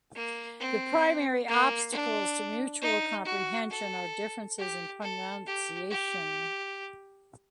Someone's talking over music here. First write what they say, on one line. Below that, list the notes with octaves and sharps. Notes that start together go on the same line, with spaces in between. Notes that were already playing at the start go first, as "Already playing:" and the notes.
The primary obstacles to mutual comprehension are differences in pronunciation.
A#3
C4
A#3
D4
D#4
F#4
A4
G4
A4
G4
G4